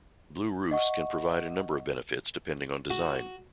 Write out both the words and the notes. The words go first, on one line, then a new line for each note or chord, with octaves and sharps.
Blue roofs can provide a number of benefits depending on design.
D#5 E5 F#5 C#6
F#4